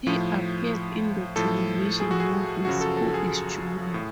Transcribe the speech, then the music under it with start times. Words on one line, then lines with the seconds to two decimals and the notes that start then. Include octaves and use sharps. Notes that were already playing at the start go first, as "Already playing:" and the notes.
He appeared in the television movies Who is Julia?
0.07 A2 F3
1.36 A2 F3 A4
2.00 G#4
2.11 F#4
2.20 G#4
2.65 F#2 C#3 F3 F#4
2.81 A4
2.97 A4
3.14 G#4
3.94 A2